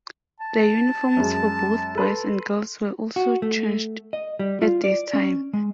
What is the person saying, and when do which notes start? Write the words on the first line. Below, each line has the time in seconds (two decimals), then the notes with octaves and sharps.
The uniforms for both boys and girls were also changed at this time.
0.40 A5
1.17 F#2 G#3
1.95 A4 B4 C6
3.16 F#4
3.42 A3
4.13 D#5
4.39 G3
4.62 F4
4.84 D5
5.13 C#4
5.54 G#3